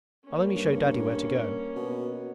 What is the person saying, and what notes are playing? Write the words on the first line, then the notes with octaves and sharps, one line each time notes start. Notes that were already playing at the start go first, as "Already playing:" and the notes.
I'll only show Daddy where to go.'
A#3 C#4
G2
B2